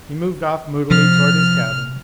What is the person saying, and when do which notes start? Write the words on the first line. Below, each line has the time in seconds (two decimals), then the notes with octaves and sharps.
He moved off moodily toward his cabin.
0.91 C3 F3 F6